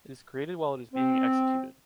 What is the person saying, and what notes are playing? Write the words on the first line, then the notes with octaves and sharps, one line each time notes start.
It is created while it is being executed.
C4